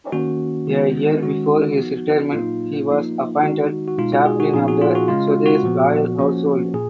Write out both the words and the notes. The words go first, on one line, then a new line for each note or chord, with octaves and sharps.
A year before his retirement he was appointed Chaplain of the Swedish Royal Household.
D#3 A#3 C#4 F#4
D#3 G#3 B3 D#4
D#3 G#3 C#4 F#4
F3 B3 D#4
A#2 F#3 A#3 D#4 F4
F3 A#3 D#4
D#3 G#3 D#4 F#4
F#4
B2 G#3 D#4 F4
F#4
G#4
F#4
A#2 F3 B3 D#4 G#4
F#4
F4
F#4
C#3 G#3 C#4 F4
F#4
F#4
A#2 F3 B3
F3 A#3 C#4
A#2 G#4